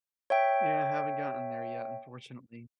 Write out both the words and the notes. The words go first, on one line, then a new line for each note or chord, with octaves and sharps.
Yeah, haven't gotten there yet, unfortunately.
C#5 E5 G5